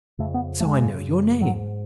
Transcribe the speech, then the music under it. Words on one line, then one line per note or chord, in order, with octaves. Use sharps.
"So I know your name."
F2 C#3 A3
B3
A3
G#3
F#2 C#3
G#2 F#3